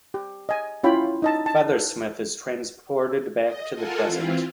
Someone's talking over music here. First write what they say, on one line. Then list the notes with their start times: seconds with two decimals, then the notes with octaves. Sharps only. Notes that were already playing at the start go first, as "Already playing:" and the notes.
Feathersmith is transported back to the present.
0.14 G4
0.49 D#5 G#5
0.84 C#4 E4 F4 C#5 G5 B5
1.22 D#4 D#5 A5
1.46 A5
3.44 D#5
3.73 F4 A4 A#4 F#5 G#5 A5
4.05 E3 C4 E4 F4